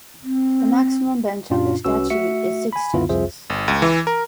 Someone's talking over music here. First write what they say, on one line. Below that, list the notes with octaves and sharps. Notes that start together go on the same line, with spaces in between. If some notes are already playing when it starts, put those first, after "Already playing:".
The maximum bench under statute is six judges.
C4
F#2 A#2 C#4 D4 F4
C2 C#4 F#4 B4 E6
A3 F#4 E5 E6 C#7
G#5 B5
C#2 F#2 D3 B3 E4 F4
C2 F2 F4 G#4 C5 E5
G1
C#2
E3
A#4